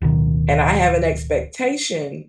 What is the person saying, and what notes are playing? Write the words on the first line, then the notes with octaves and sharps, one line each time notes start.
and I have an expectation
D1 B2 D#3